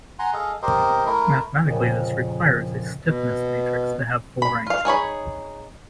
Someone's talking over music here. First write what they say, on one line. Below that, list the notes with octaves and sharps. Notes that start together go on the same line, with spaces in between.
Mathematically, this requires a stiffness matrix to have full rank.
F#5 G#5 A#5 C6
G#4 A4 D#5 F5
G4 A#4 C5 D#5
A3 E4 A#4
F2 A#2 C#3
B2
B5
F4 F5
D#4 G#4 C#5 B5